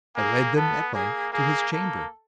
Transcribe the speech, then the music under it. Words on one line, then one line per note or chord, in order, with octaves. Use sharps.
I led them, at length, to his chamber.
A#3 G#4
B3 A4
A#3 G#4
A#3 G#4
A#3 A4